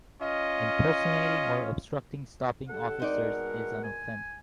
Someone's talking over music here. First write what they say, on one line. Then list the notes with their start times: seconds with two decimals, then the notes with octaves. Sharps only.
Impersonating or obstructing stopping officers is an offence.
0.21 C#4 F4 D#5
2.68 D3 G4 A4 F#5
3.00 B2 G#3 C4 D#4 A#4 D5
3.83 G#5